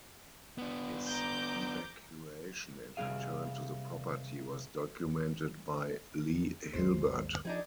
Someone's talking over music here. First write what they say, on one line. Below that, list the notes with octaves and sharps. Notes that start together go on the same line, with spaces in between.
His evacuation and return to the property was documented by Leigh Hilbert.
B3 D4
A#5 D6 G6
C3 G3 C4 G#4 F5
G#1 D#2 G#3 C5
F3 D4 D#4 G#4